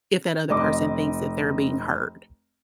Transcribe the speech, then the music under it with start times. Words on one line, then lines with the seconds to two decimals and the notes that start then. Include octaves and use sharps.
if that other person thinks that they're being heard.
0.49 F1 D#5 C6 D6